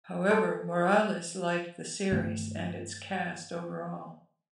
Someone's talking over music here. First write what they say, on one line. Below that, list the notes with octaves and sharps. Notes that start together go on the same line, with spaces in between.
However, Morales liked the series and its cast overall.
A4
G2 D#3 A3 C4